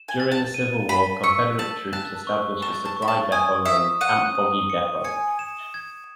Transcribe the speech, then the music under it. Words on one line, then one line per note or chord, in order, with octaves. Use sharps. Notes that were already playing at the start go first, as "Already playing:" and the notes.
During the Civil War, Confederate troops established a supply depot named Camp Boggy Depot.
Already playing: E7
G#5
A6
A5
D#7
B5 B6
C#6 E6
A5 F#7
A5 F#6
C#6
A5 C#6
A5
C#6
B5
A5
G#5 D#6
E5 D#6
F#5 D#7
D#6
C#7
G#5 C#7
E7
G#6